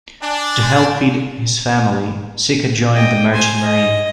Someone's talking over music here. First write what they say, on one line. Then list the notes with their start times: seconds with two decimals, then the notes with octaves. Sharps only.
To help feed his family, Sika joined the Merchant Marine.
0.22 D4 G#5 D6
0.61 G#5 C6 G6
2.94 D#5 G5
3.33 C5 G#5
3.63 D#5